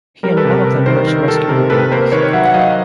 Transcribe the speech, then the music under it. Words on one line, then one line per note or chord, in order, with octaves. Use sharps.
He and one of the nurse rescue the babies.
G3 A#4
A4 B4
C3
A#4
C3 A#4
D#3 A#4 C5
D#3 A#4
D#3 A4
C3 A#4
C3 A4 B4
A#3 A#4 C5
D#3 B4 C#5
F#3 E5 F#5
F#5
F#3 D#5 F5